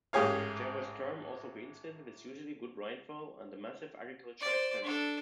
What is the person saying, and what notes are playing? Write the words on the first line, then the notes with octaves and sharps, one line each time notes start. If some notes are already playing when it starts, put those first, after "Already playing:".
Jervois' term also coincided with unusually good rainfall and a massive agricultural expansion.
A1 G#2 G4 G#4 C#5 F5
C5 D5
D4 A4